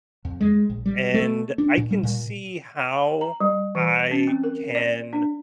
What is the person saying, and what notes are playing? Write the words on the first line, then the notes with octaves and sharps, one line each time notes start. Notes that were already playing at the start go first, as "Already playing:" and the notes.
and I can see how I can
F2
G#3
A#1
G3
A3
D4
A#2
G3
A#2
A#5
G3
E3
C#4
C4
A#4
D5
D4